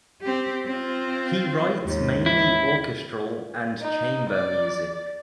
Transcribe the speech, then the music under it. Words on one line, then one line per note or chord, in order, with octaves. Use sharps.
He writes mainly orchestral and chamber music.
C4 G4
C4 F4
D#2 G#2
E4
D#4
D5